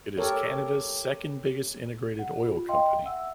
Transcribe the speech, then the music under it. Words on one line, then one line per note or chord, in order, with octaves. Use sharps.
It is Canada's second-biggest integrated oil company.
G4 A4 A#4 C#5
F#5
F4
D#5 F5 G5 C6
E5 F#5 E6